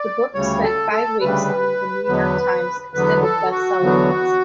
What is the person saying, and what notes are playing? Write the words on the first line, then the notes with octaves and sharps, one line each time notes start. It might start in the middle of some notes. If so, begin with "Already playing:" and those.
The book spent five weeks on "The New York Times" extended best-seller list.
Already playing: D5
D2 C#3 G3 C#5
A4
A4
D2 C#3 G3 B4
E2 D3 F#3 B3
E2 D3 F#3 B3 B4
A4
F#4
E2 D3 F#3 B3